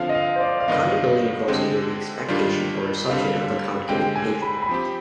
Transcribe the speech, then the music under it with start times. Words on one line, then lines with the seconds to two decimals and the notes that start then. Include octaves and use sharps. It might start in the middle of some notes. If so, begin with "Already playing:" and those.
Accountability involves either the expectation or assumption of account-giving behavior.
Already playing: D3 F3 C4 F4 F5
0.09 D#5
0.14 F5
0.36 C5
0.40 D5
0.60 F5
0.68 G2 D#3 B3 D#5
1.48 D3 G#3 C4 G4
2.28 G#2 D#3 G3 D4 F4
3.09 D3 G3 C4 F5
3.89 D3 G#3 C4 G4 G5
4.16 G#5
4.42 B5
4.62 B5
4.69 F3 C4 G4